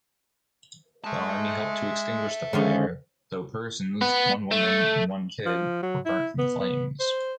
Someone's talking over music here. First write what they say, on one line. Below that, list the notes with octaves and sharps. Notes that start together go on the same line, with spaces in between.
The army helped to extinguish the fire: tho persons, one woman and one kid, were burnt from the flames.
G#3 E5 A5
D3 D#3 F3 G#3 C#4
B3
A3
F3
F#3
E4
B3
B3
C5